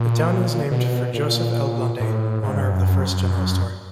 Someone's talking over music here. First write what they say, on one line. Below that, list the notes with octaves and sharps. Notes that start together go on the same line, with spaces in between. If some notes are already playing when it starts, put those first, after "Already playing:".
The town is named for Joseph L. Blandin, owner of the first general store.
Already playing: A#2
B2
A#2
A2
G#2
G2
F#2